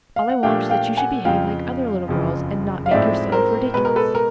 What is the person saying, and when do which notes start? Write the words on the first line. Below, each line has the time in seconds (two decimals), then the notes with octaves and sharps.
All I want is that you should behave like other little girls and not make yourself ridiculous.
0.16 F5
0.29 F#5
0.43 A#2 F3 A3 D4 G4 F5 G5
0.70 F5 G5
0.97 F#5 G#5
1.25 F2 C#3 F3 F5 G5
2.08 F#1 F2 C#3 F3
2.86 F5
2.91 A2 F3 G#3 C4 D#4 D5 E5
3.32 A#4 C5
3.74 B2 G#3 B3 B4
3.85 A#4
3.96 A4 B4
4.15 A#4